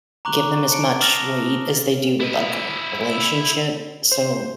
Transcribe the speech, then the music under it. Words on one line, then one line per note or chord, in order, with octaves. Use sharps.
give them as much weight as they do with, like, a relationship. So
A#5 C#6 D6 F#6 F#7
A5 C#7 D7
D#6 F6 A6 A#6 E7
E4 D#5
C5